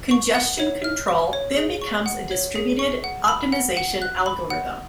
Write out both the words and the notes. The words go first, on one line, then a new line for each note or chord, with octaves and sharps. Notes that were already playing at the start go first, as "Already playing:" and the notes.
Congestion control then becomes a distributed optimisation algorithm.
C#6
F#5
C#5
F6
C#6
C#5
G#4
C#6
F#5
C#5
G#4
C#6
F#5
B5
F#5
F#5
F#6
B5
F#5